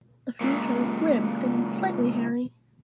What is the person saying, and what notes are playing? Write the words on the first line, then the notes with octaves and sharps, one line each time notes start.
The fruit are ribbed and slightly hairy.
C#2 A#2